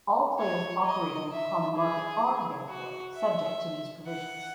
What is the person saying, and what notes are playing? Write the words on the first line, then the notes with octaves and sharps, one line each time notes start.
All players operating in the common market are therefore subject to these provisions.
C#5
D#5
E5
G#4
F#4
E5
F#5